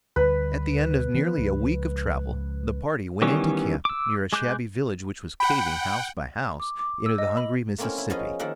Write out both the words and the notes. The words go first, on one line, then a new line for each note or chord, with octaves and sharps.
At the end of nearly a week of travel, the party went into camp near a shabby village which was caving, house by house, into the hungry Mississippi.
D2 G3 B4
E3 B3 D4
C#2 F3
D#3 E3 G3 B3 C#4
D6 E6
G#3 D6 F#6 G6
F#5 G5 B5
D6
D6
E6
D#5
B5
A3 A#3 C4 C#4 E4
E4
F3 B3 C#4 G#4 D#5
D#3 F3 A#3 A#4 E5 F#5